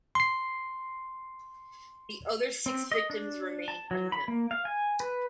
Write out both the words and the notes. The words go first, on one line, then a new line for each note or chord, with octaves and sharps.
The other six victims remain unknown.
C6 C7
C4
D#5
D4
A5
F#3
B5
A#3
F5
G#5
B4